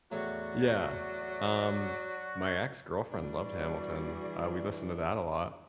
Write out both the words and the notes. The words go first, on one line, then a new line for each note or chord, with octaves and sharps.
Yeah, um, my ex girlfriend loved Hamilton. Uh, we listened to that a lot.
E2 A2 F#3 F#4 D5
E3 G3 D4 F#4 G#4 D5